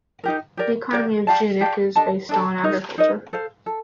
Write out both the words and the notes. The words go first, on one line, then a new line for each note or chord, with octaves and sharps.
The economy of Junik is based on agriculture.
D#4 G4 A#4
G4 A#4 D5
G4 A#4 D5
G4 D5 F5 A5
G4 D5 F5 A5
D4 A4 D#5 A5
D4 A4 D#5 A5
D#4 A#4 D#5
D#4 A#4 D#5
A4 C5 F5
A4